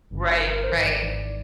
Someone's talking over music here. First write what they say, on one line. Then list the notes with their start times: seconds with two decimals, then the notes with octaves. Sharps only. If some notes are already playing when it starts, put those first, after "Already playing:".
Right, right.
0.10 G1 G2 D3
0.40 G1 G2 D3 A#4
0.55 A#4
0.63 C5
0.70 G#1 G#2 E3 B4
0.85 D5
1.00 G#1 G#2 E3